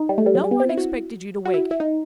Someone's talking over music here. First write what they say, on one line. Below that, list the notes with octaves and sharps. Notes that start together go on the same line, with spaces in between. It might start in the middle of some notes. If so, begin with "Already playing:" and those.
No one expected you to wake.
Already playing: D#4
G3
A3
G3
F#3
G3
B3
C4
E4
F#4
F#4
E4
E4
D#4